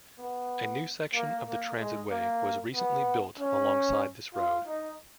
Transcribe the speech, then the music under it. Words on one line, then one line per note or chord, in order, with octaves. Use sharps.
A new section of the Transitway was recently built alongside this road.
B3
A#3
A#3
G#3
A#3
B3
C#4
F4
D#4